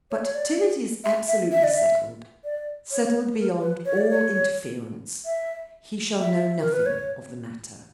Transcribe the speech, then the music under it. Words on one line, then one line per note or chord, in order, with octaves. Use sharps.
But till it is absolutely settled--settled beyond all interference, he shall know nothing of the matter.
C#5
C#5
D5
E5
E5
E5
D5
E5
D5
C#5
A#4
B4
C#5
D5
C#5
E5
E5
A#4
B4
C#5